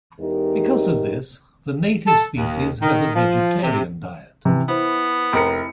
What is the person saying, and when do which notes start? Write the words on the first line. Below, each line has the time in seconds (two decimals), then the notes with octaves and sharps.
Because of this, the native species has a vegetarian diet.
0.19 E2 G#3 D#4 G4 A#4
2.07 A4
2.37 D#2
2.82 D#3
3.16 F3
3.62 C3
4.45 C3 E3
4.68 B3 E4 C5
5.33 F1 A#4 C#7